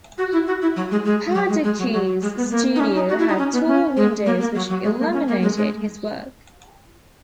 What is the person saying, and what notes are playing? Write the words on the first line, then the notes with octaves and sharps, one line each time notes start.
Parducci's studio had tall windows which illuminated his work.
F#4
E4
F#4
E4
F#3
G#3
G#3
F#3
G#3
G#3
F#3
F#3
G#3
B3
A#3
D#4
C#4
D#4
F#4
E4
D#4
C#4
B3
C#4
G#3
A#3
A#3
F#3
F#3
G#3
A#3
C#4
A#3
G#3
G#3